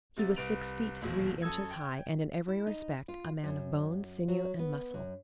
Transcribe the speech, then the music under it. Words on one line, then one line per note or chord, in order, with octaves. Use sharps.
He was six feet three inches high, and in every respect, a man of bone, sinew and muscle.
C2 C3 A6
C2 B4 D7 F7
D#1 A#1 E2 B2
F#2 A4 D#6 E6 G#6
G5
E4
D#4
F4
F#2
F#3
B3
F#2